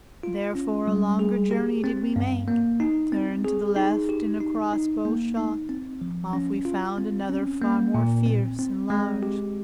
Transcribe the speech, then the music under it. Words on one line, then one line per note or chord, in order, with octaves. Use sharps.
Therefore a longer journey did we make, Turned to the left, and a crossbow-shot oft We found another far more fierce and large.
F4
C#4
G3
G#4
G4
C4
G2
A#3
D#4
C4
G#4
D#4
G4
D#4
D#4
A#3
D#4
C4
F3
C#4
F4
C4
C#4
A#3
A#2
C4
C4
G#3
G4